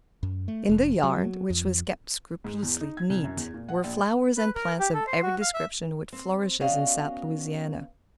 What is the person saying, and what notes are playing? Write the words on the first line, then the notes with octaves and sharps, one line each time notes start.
In the yard, which was kept scrupulously neat, were flowers and plants of every description which flourishes in South Louisiana.
F#2
A3
F1
F#3
F2
G#2
E2
D#4
G#6
C2
F#2
E2
A#2
F#5
A#1
B4
A#4
G4
A4
C5
F#4
F5
E5
C4
B3 C#4 F#4 D5 D#5 F5